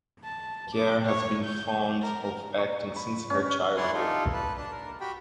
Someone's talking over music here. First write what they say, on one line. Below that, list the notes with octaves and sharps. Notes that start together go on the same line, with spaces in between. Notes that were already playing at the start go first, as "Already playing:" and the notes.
Khare has been fond of acting since her childhood.
A5
D6
C#5
G6
A#4
C#6
B5
C#4
E4 C#5 D5 F#5 G#5 C6
D#4 F4 G4 A4
B4 A5
D4 A5
A#4
F#4 G4 G5 B5